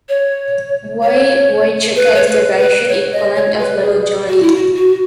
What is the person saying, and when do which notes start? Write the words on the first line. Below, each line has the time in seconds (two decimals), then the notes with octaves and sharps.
Vovochka is the Russian equivalent of "Little Johnny".
0.09 C#5
1.03 C#5
1.96 B4
2.15 C#5
2.27 B4
2.58 B4
2.89 C#5
3.12 D#5
3.35 C#5
3.59 B4
3.82 G#4
4.29 F#4
4.42 E4
4.56 F#4
4.75 F#4